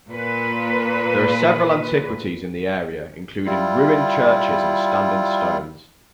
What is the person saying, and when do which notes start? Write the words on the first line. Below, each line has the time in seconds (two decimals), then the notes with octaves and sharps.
There are several antiquities in the area, including ruined churches and standing stones.
0.11 A#2 B4
3.46 G3 E4 F4